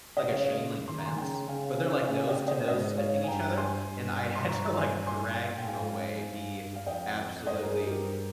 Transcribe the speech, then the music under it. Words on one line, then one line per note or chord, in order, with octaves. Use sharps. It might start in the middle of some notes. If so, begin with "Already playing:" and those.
like, a chain link fence, but they're, like, nose to nose sniffing each other, and I had to, like, drag him away. He absolutely
D#5
C#3 C#5 F5
D#3 C6
A#5
G#5 C6
C#3 G5 A#5
C#3 F5 G#5
F5 G#5
C#3 F5 G#5
F5
D#5 G5
C5 D#5
G#2 C5 D#5
C#5 F5
G#5
G2 G5 A#5
G#5 C6
G2
C6
A#5 C#6
G#5 C6
G#5 C6
G5
G#2 F5 G#5
G2
F5
F2 D#5 G5
G2 C5 D#5
A#4
G#4 C5
G4 A#4